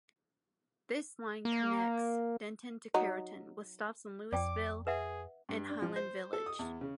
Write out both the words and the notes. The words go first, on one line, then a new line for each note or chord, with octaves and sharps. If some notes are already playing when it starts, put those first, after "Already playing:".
This line connects Denton to Carrollton, with stops in Lewisville and Highland Village.
A#3
F#3 D#4
F2 D5 G5 D6
G#4 B4 E5 F#5
G2
D4
F3
C5
A4
D#6
E2
C#3